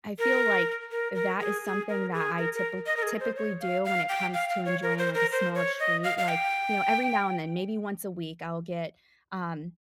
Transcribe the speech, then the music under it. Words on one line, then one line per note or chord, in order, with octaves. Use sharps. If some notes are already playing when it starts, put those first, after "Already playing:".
I feel like that is something that I typil typically do when it comes to enjoying, like, a small treat. Like, you know, every now and then, maybe once a week, I'll get, um,
A#4
A#4
A#4
G#4
G#4
A#4
G#4
A#4
A#4
D#5
A#4
G#4
C5
C#5
F5
F5
G5
F5
F5
C#5
A#4
C5
A#4
C5
C#5
D#5
F5
F5
G5